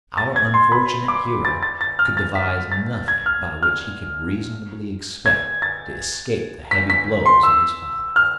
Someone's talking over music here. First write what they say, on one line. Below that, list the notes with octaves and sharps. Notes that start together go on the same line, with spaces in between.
Our unfortunate hero could devise nothing by which he could reasonably expect to escape the heavy blows of his father.
A6
G#6
C6
B5
D6
A6
A6
A6
F6
A6
B6
A6
G#6
F6
F6
G#6
A6
B6
B6
C6
E6
F6